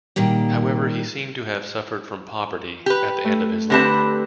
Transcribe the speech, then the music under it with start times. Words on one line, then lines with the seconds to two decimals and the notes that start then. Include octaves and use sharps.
However, he seemed to have suffered from poverty at the end of his life.
0.16 A#2 D#3 G3 A#3
2.86 G4 B4
3.25 A3
3.70 D3 C4 G4 B4 A5